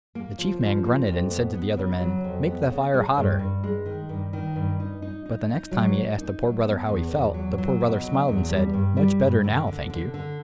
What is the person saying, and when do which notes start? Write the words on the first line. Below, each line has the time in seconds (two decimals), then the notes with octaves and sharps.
The Chief Man grunted and said to the other men, "Make the fire hotter." But the next time he asked the Poor Brother how he felt, the Poor Brother smiled and said, "Much better now, thank you."
0.15 A#3
0.39 F3
0.61 F3
0.84 A#3
1.07 F2
1.30 B3
1.54 B3
1.77 C#3
2.00 F#3
2.24 F2
2.47 B3
2.70 C#3
2.94 G#3
3.17 G2
3.39 G2
3.64 G#3
3.86 D#3
4.09 G2
4.33 D#3
4.56 G2
4.80 D#4
5.02 D#4
5.26 D#4
5.49 D#4
5.71 F#3
5.95 A#3
6.18 D#4
6.42 F#3
6.65 B3
6.89 E2
7.11 E2
7.34 F#3
7.58 F#3
7.81 B2
8.04 F#3
8.28 E2
8.50 G3
8.73 G2
8.97 G3
9.20 G2
9.44 D3
9.67 D3
9.90 D3
10.14 D3